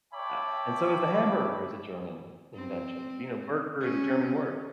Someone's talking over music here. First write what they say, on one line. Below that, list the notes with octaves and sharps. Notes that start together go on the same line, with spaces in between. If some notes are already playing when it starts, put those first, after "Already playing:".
uh and so is the hamburger is a German invention, you know, "burger" is a German word.
C#5 E5 G5 A5 B5 D6
C4
C#4